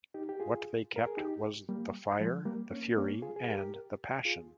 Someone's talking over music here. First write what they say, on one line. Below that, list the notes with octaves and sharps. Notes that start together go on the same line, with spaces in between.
What they kept was the fire, the fury, and the passion.
D#4 G4
G4
F4 G#4
A#4
G#4
D#4 G4
G3 A#3
F3 G#3
G3 A#3
A#3 C#4
A#3 C#4
F4 G#4
G#4
G4 A#4
F4 G#4